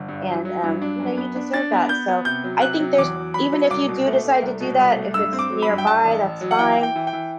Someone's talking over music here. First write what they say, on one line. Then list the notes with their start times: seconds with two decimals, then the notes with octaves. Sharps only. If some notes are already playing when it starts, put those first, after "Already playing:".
and, um, you know, you deserve that. So, I think there's even if you do decide to do that, if it's nearby, that's fine.
Already playing: G1
0.08 G2
0.27 F#3
0.45 F#3
0.64 G2
0.82 D4
0.99 F#2
1.17 B3
1.35 D4
1.53 D4 A6
1.72 B3
1.89 B3 G6
2.08 B3
2.25 C3 G6
2.44 F#3
2.62 C3 F#6
2.79 F#3
2.98 E2 D6
3.16 F#3
3.34 F#3 B5
3.53 F#3
3.70 C2 D6
3.88 B2
4.07 A3
4.24 A3
4.42 C2
4.60 B2
4.78 C2
4.96 A3
5.14 G2 E6
5.33 C4
5.39 D6
5.51 F#3
5.62 B5
5.69 G2
5.78 G5
5.87 G2 A5
6.05 A1
6.23 A1
6.41 F#3
6.51 F#5
6.59 E3 G5
6.78 E3
6.83 G5
6.96 E3
7.07 G5
7.13 E3